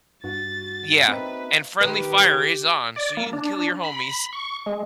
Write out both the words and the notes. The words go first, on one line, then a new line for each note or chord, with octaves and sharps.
Yeah, and friendly fire is on, so you can kill your homies.
G2 F#4 A6
A#3 C4 D#4 B4 E5
D#3 G4 B4
D5
A#3
D4
B5
C#6
G#3